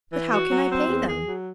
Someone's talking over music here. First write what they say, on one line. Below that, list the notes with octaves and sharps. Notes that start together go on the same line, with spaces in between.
"But how can I pay them?"
E3
F#4
F#3
C4
E2
G#4
F#3